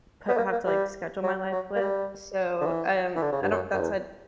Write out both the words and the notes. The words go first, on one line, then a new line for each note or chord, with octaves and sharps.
coo have to like schedule my life with, so, um, I don't that said
B3
A#3
A#3
G3
F#3
F#3
A#3
G3
D3
E3
E3
D3
C#3
G2
F#2
F#2
E2